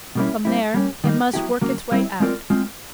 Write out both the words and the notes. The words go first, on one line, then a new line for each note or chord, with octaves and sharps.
From there it must work its way out.
B2 G3 A#3 C#4 E4
G3 C4 E4
G3 A#3 C#4
D#3 G3 A#3 D#4
F#3 B3 E4 G4
C#3 F#3 A#3
G3 C4 E4
G#3 C4 F4 A#4 D5
G#3 C4 F4